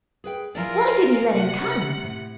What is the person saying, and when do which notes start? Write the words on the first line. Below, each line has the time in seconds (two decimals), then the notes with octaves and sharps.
Why did he let him come?
0.24 G#4 B4 G5
0.55 F3 E4 F4 G#4 A#4 D5
1.32 C3 F#5
2.03 A2